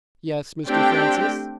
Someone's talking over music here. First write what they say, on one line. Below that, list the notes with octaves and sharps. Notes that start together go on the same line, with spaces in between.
"Yes, Mr. Francis?"
A3 C4 D4 G4 G5